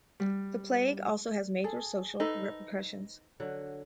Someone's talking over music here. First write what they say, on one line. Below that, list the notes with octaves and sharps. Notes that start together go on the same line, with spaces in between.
The plague also has major social repercussions.
G3
G#4 A4
D#4 A4 B4 C5
D3 F#3